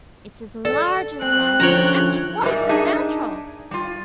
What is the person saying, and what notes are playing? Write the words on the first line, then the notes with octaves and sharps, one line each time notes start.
It's as large as life, and twice as natural!'
A4 D5
C4 F#6
D3 F3 C#4 F4 C5 C#5 G5 A#5
G#2 G3 G#3 D#4 A#4 E5
D4 D#4 G#4 D#5 E5
G3 F4